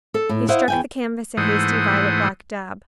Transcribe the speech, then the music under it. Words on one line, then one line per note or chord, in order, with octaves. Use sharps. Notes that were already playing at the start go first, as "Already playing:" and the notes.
He struck the canvas a hasty violet-black dab.
A4
A2
E4 C5 D#5 F5 F#5
E2 G5 G#5
G#2 E3 A3 C5 F#5 D#6